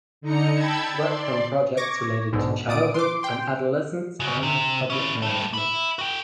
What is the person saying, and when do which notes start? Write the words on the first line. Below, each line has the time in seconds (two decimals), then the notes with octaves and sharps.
She worked on projects related to childhood and adolescence and public management.
0.21 D3 D#4 A#5 C#7
0.54 G5 A5 B5 E6 G#6
0.96 D5 C6
1.77 C#6 D6 G#6 A#6
2.33 B1 G#2 B2 D3
2.68 A#2 D5 D#6 D7
2.94 C6 D6
3.23 G5 C6
4.20 C#3 F#4
4.43 C3
4.90 C#4 E4
5.22 G3 A3
5.54 E5 B5
5.99 F#4 G5